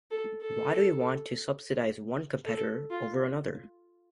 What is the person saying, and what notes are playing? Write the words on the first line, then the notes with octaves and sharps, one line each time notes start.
Why do we want to subsidize one competitor over another?
A4
A4
A4
F4